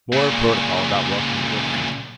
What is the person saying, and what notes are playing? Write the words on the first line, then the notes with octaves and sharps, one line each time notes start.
More protocol about welcoming Gorkrink.
A#2 C#3